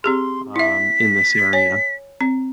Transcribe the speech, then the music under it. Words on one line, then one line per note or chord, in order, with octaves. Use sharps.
um, in this area,"
C4 G4 G#4 C6
E4 E5 B6
C#5 G#5
C4